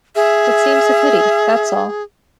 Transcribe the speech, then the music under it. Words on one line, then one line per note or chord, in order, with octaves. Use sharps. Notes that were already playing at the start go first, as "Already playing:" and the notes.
It seems a pity, that's all.'
G#4 E5